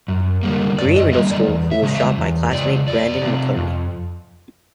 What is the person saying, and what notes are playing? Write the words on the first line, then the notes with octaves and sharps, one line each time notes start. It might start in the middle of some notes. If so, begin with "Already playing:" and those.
Green Middle School who was shot by classmate Brandon McInerney.
F#2
D3 G3 A#3
F#2 D5
D#5
D3 G3 A#3 D#5
D5
E2
E5
C#3 F3 G#3
E5
E2
C#3 F3 G#3 D5
F2 D5
C3 F3
F2